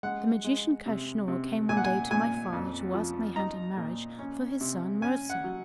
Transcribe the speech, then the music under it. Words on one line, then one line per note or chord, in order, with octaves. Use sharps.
The magician, Kaschnur, came one day to my father, to ask my hand in marriage for his son Mirza.
G#3 F#5
G#3
C3
C3
A#2 G#5
F#5
G#5
A#2 G#5
F2
F3
D#4 A#5
A#2
C#4
C3
C#4 G#5
F#5
F#3